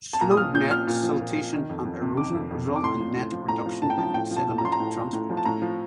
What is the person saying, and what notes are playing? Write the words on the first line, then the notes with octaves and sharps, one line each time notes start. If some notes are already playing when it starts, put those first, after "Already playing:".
Slowed net siltation and erosion result in net reduction in sediment transport.
A5
A#2 A#5
D#6
F3 F6
A#2 G6
F3 F6
A#2
F3
A#2
F3
D#3
F2
F2
C3
D#3 D6
F2
F2
C3
D6
A2 C6
F3
A2
F3
A2 A#5
F3
A2 A5
G5
F3 A5
A2 G5
F3
A5
A2
A#5
F3 C6
A#5
A2
F3
A2
F3
A5
A2 A#5
F3